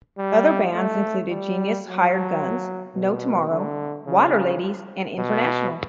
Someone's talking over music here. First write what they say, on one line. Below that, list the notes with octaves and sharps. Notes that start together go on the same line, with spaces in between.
Other bands included Genius Hired Guns, No Tomorrow, Waterladies, and International.
G3
A3
G3
F#3
B2
D3
C#3
B2